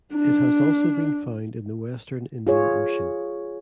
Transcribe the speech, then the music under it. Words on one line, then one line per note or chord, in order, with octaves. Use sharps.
It has also been found in the Western Indian Ocean.
D4
F4 G#4 C#5